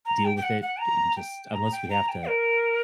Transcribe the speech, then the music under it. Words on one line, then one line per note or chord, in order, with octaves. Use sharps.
deal with it and just unless we have to,
A#5
G5
G5
F#5
F#5
A#5
G5
A#5
G5
A#5
G5
A#4